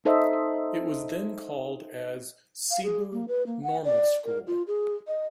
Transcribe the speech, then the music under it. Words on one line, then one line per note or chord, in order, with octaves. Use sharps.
It was then called as "Cebu Normal School".
D#4 A4 C5 D#5 E5
F5
G#4
A#3
B4
A#3
F#5
D5
A#4
F4
G#4
D#5